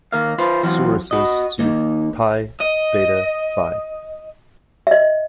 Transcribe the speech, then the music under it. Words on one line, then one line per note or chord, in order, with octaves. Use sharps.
Sorosis to Pi Beta Phi.
D#2 A#4 F5
F4 B4 C5
E3 F#3 C4 F4 F#4
F#4 D#5
D#2 A#3 D#4
D#5
D#5 E5